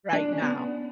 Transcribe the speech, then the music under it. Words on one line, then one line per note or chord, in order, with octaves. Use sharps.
right now
D4
C#4
B3